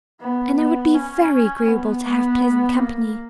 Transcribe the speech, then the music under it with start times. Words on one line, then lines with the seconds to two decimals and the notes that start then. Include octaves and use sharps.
And it would be very agreeable to have pleasant company.
0.20 B3
0.58 B3
0.94 C#4
1.68 B3
2.04 B3
2.78 A#3